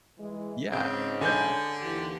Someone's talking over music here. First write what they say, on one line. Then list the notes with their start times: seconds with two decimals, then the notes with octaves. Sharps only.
Yeah, yeah.
0.18 E3 G#3
0.72 G#2 C#3 C4
1.21 D3 G#5 G6
1.82 D#2 E3 G4